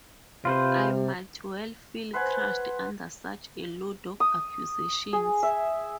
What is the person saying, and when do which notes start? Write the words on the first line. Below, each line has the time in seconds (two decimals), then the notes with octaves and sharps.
I might well feel crushed under such a load of accusations.
0.45 C3 F4 B4 C5
2.13 B4 C5 F#5 G#5
4.20 D#6
5.13 G#4
5.43 E5